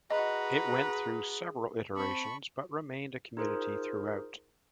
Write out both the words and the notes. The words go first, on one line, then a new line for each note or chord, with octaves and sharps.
It went through several iterations but remained a community throughout.
F#4 G#4 B4 D#5 A#5
C4 A5 B5 C#6
D#4 F4 G#4 A#4 C5